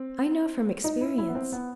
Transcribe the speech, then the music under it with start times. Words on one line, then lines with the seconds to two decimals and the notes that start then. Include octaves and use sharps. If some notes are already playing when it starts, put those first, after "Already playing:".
"I know from experience."
Already playing: C4
0.84 D#4
1.01 E4
1.18 E4
1.29 B3
1.35 C4
1.52 B3